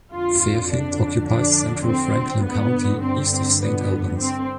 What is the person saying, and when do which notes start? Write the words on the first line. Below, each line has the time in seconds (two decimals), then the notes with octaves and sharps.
Fairfield occupies central Franklin County, east of Saint Albans.
0.12 F2 D3 F4
0.70 D4
1.28 D4
1.86 C4
2.44 G2 D3 B3
3.02 C4
3.32 C4
3.61 B3
4.19 C4